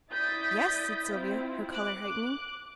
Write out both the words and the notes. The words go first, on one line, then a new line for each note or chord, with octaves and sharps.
'Yes!' said Sylvia, her colour heightening.
E4 D5 D#6 G6 A6 B6
C4 E4 F4
D6 F#6